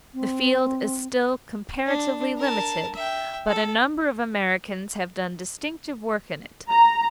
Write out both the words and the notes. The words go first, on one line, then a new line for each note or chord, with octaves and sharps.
The field is still comparatively limited, but a number of Americans have done distinctive work in it.
C4
D4
A#4 A5
E5 G5
A4
A#5